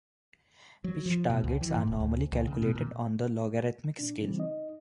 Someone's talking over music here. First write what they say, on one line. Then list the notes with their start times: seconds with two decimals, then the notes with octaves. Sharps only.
Pitch targets are normally calculated on a logarithmic scale.
0.84 F#3
1.06 F3
1.30 B2
1.44 C#2
1.61 E3
1.75 G#2
1.87 E1
2.00 D2
2.32 C#2
2.47 C#3
2.62 B2
2.75 A#2
3.99 A#2 D4
4.21 C#3 E3 G3 C4
4.38 D#4 D#5